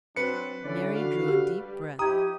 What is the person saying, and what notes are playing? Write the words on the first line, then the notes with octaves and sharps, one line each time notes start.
Mary drew a deep breath.
F#3 C4 D4 B4 C#7
D3 C#4 E4 D5
F#4 D5 F5
G4
G3
F3 D#4 E4 G4 A#5 D#6 G#6